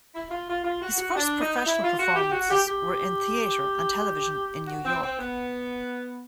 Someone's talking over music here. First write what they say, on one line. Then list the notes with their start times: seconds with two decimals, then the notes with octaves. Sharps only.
His first professional performances were in theater and television in New York.
0.14 E4
0.30 F4
0.48 F4
0.64 F4
0.81 F#4
0.98 F#4
1.09 D#4
1.15 D4
1.41 D#4
1.66 E4
1.82 F4
1.98 F#4
2.15 G4
2.32 F#4
2.50 G4
2.65 G4
4.67 F#4
4.84 C4
5.02 C4
5.18 B3